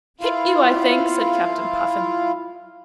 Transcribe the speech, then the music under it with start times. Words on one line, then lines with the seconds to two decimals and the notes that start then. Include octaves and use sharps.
"Hit you, I think," said Captain Puffin.
0.21 E4 F4 F5